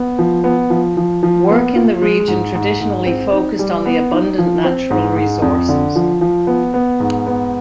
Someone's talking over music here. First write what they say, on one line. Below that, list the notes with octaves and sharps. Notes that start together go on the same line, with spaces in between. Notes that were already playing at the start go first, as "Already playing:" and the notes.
Work in the region traditionally focused on the abundant natural resources.
Already playing: B3
F3
B3
F3
F3
F3
B3
F4
G#3
G#2
G#2
G#2
C4
D#4
G3
B3
D#4
F3
C4
G#2
G#2
F2
D3
F3
F3
B3
B3
G#2
B3